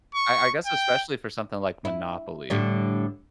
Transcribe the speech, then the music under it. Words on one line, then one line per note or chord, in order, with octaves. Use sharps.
I I guess especially for something like Monopoly,
C#6
G5
E4
A2 D3 G3